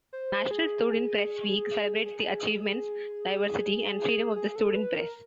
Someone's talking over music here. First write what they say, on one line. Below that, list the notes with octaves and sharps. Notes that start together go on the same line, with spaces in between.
National Student Press Week celebrates the achievements, diversity and freedom of the student press.
C5
G#4
G#4
G#4
A4
B4
A#4